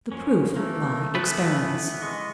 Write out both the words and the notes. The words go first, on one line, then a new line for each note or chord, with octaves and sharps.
The PROOF by Experiments.
F3 F#3 C#4
E3 A3 A#3
E3 B3 B4 E5 A5
G#3 D#5 C#6